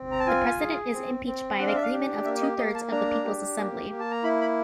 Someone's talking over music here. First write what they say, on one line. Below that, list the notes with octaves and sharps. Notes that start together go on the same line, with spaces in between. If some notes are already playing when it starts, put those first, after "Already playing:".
The President is impeached by the agreement of two-thirds of the People's Assembly.
Already playing: C4
A#5
A5
F4 G#5
G#4
C4
C4
D4 F#5
F5
E5
F5
G4
A#3 E5
D#5
A#3 D#5
A5
D4 A#5
G4
A#3
A#3
A5
A#5
E4 B5
B5